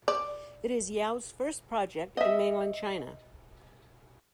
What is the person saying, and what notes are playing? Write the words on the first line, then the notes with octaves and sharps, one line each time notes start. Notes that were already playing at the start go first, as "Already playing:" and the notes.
It is Yau's first project in mainland China.
D5
D#5 E5